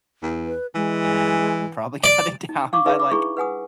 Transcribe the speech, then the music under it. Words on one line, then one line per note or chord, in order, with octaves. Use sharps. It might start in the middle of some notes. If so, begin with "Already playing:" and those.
and probably cut it down by, like,
E2
B4
E3 G#3
D5
D#4
F5 C#6 D6
D#4 G#4 B4 E5
D6
D4 E4 G#4 B5 C#6
B4 F#5 G#5 D#6